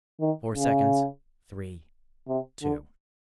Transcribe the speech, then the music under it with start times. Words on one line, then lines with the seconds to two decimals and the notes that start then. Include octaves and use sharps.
Four seconds ... three ... two....
0.20 D#3
0.55 C#3
2.28 C3
2.62 D3